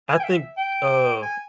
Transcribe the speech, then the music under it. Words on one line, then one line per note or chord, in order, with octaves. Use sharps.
I think, uh,
G#5
G5
E5
G5
G#5